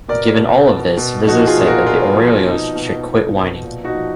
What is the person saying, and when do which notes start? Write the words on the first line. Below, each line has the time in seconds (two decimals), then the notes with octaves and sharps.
Given all of this, Rizzo said that the Orioles should quit whining.
0.08 B2 A#4 D5
0.38 B2
0.69 B2
0.97 B2
1.27 F3 D#4 F#4
1.47 F4 G#4
1.58 A#2
1.67 F#4 A#4
1.87 A#2 F4 G#4
2.16 F3 F4
2.46 B2 D#4
2.75 B2
3.05 B2
3.35 B2
3.64 A#2
3.84 D#4 F#4
3.95 F3